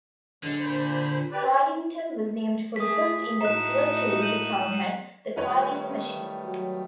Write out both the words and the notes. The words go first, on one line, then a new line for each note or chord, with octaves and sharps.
Cardington was named for the first industrial tool the town had, the carding machine.
D3 F#3 G#3
A#2 C5 B5
G4 B4 D5
A3 G#4 D#6 B6
A2 D#4 F#4 A#5 F#6 E7
G6 D#7 F#7
D#3 G3 A3 F4 B4 C#5
F#3